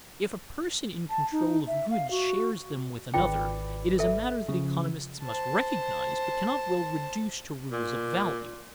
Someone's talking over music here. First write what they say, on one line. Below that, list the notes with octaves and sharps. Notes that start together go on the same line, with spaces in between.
If a person in control of goods shares them with another, it is a matter that economists must recognize, but cannot well reduce to rules of value.
A5
D#4
E5
F5
F#4
G#1 F4 B4 D5 G5
A4 E5
C#3 F3
C5 A5
A#2